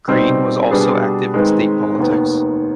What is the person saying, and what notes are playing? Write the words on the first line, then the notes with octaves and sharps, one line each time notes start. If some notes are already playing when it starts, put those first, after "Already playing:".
Green was also active in state politics.
B2 G3 C4 D#4 G4
B2 G3 D4 G#4 B4
D#3 G#3 C4 D#4 B4
F1 D#2 D#3 B3